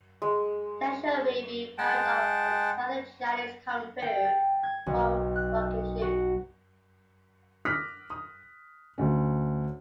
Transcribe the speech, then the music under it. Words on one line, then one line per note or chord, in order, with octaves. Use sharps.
Tensho may be a variant of the Southern Chinese Kung Fu form Rokkishu.
G#3
G#3 F#5 G5 A5
G5
A6
G#6
B1
F#6
F#4
D6 D#6 F6 F#6 A#6 B6
D#6
D2 C#4